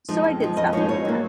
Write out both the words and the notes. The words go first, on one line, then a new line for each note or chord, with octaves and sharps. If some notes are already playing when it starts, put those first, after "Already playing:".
So, I did stop doing that.
F3 G#3 D#4
F2
F3 G#3 D#4
F2 D#5
F3 G#3 D#4 C#5
G#2 C#5
F#3 A#3